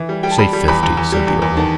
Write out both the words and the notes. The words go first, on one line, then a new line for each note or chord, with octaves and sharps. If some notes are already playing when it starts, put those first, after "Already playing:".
"Say fifty," said the earl.
Already playing: E3
G3
G3 G5
A5
G3 B5
G3
E2 B5
E2
E2
G3
E2
E2
D#3 A5